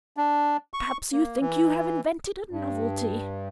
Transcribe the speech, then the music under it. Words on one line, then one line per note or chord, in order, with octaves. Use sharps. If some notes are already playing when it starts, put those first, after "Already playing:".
Perhaps you think you have invented a novelty?
D4
C#6
A#3
E3
G2